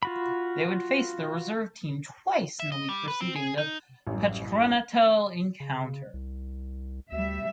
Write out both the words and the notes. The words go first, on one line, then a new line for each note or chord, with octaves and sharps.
They would face their reserve team twice in the week preceding the Patronato encounter.
F4 F#4 B5
E5
D#5
G3
B4
C4
G#4
D#4
A1 F#2 G3
C#3
C2
D2 G3 E5